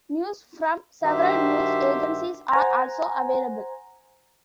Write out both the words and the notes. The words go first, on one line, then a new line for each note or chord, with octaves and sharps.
News from several news agencies are also available.
G2 D#3 F#4 G4 C5 E5
C5 F#5 G#5 A#5